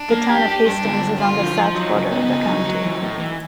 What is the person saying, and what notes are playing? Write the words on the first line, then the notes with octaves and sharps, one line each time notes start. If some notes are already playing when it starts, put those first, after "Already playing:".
The Town of Hastings is on the south border of the county.
Already playing: D4
A#3
G4
G4
G2 D4
D3
G2
D3 F4
F3
F3
F#3 D#4
C#3
B3
C#3
F#3
F#3
E3
A2
E3